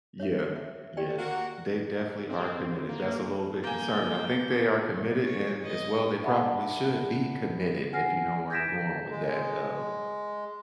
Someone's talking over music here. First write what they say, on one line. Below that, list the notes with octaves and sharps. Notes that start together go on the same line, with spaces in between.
Yeah, yeah, they definitely are committed, that's a little bit concerning. I think they are committed, and as well, they probably should be committed if you know where I'm going with that, um,
C#5 E5
E5
G4 D5 G5
A#3 F#4
C4
A#3
A#3 G5 G#5
C#5
B4 D#5
D5 E5 F#5 A5 B5
F#5 G#5 F6 A#6 C7
G6 G#6 A#6 B6 D7 E7
G#3